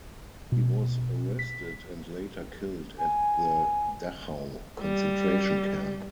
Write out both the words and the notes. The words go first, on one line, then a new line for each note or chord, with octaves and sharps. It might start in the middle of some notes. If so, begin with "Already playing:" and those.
He was arrested and later killed at the Dachau concentration camp.
B2
B6
G#5
G3